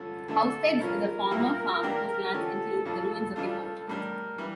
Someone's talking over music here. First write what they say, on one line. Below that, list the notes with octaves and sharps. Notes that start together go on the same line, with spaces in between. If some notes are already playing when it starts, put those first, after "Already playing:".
Housesteads is a former farm whose lands include the ruins of the fort.
Already playing: G2 D3 F3 C#4 A4
D3 A3 D4 A4
G2 F3 C#4 F4 A#4
A#2 G3 A#3 E4 G4
E3 A#3 D4 G4
D3 F3 C#4 G4 A4
F2 C#3 F3
C#3 G3 D4 F4
A2 G3 D4 A#4
E3 G3